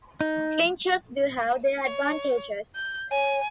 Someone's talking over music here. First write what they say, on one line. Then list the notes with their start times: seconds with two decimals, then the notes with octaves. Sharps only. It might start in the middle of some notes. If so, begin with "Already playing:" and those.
Clinchers do have their advantages.
0.21 D#4
1.85 C#5
2.75 G6
3.11 C#5 G#5